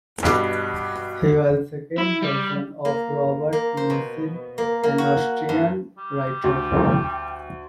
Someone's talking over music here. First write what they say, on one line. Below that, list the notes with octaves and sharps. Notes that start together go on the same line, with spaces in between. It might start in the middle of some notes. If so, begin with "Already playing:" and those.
He was a second cousin of Robert Musil, an Austrian writer.
G2 B2 G3
E4
G3
A#3
A#3
C5
B2
A#3
A#3
F#4
G2
G3
D2 G5